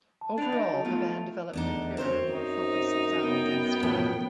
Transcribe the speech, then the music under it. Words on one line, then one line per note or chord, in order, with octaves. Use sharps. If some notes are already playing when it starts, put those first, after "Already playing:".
Overall, the band developed a clearer, more focused sound and style.
A5
D4 B4 A6 D7 F7
D#4
F#3 F#4
A3 B3 F4
E2 A3 D4 D#4
F#2 C4 C5 C#5
D#4
B3 G5
A2 F3